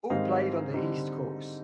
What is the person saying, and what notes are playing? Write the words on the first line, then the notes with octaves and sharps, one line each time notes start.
All played on the East Course.
G#2 D#3 G3 C4 D#4 D#5 F5
D3 G3 C4 D#4